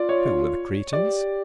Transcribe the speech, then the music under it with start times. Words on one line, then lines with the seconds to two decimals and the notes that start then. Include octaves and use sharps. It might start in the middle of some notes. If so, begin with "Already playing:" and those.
Who were the Cretans?
Already playing: F4 D5
0.09 C#5
0.26 C#5
0.92 G4 D5